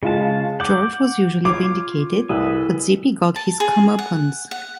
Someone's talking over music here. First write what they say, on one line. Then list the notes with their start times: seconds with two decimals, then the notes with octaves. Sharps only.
George was usually vindicated, but Zippy got his comeuppance.
0.03 C#3 G#3 F4 F5 A5
0.60 F#5 D6 G6
1.45 F4 C#5 D6
2.29 C2 G#4 A4 B4
3.36 A5
3.60 G#4
3.99 F#5
4.51 F#5